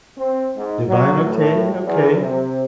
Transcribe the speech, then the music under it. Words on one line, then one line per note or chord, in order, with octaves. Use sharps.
Divine, okay, okay.
C4
G#2
F#3
A2
E2
C3